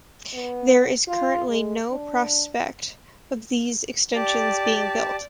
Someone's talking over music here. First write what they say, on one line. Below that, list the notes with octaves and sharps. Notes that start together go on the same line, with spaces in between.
There is currently no prospect of these extensions being built.
B3
F4
G#3
D4
G4 D5 A5